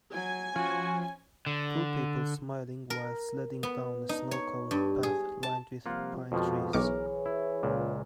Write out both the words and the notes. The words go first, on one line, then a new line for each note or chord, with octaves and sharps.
Two people smiling while sledding down a snow covered path lined with pine trees.
F#3 G#5
F3 C#4 F#4
D3
A#4
B3
D#4
C#5
G2
G#4
A5
C3 F3 G3 A#3 F4 F#5
F2 B2 F3 G#3 B3 F#4
B1 E3 G#4 A#4 C#5 C#6 D6
E4
C#2 A#2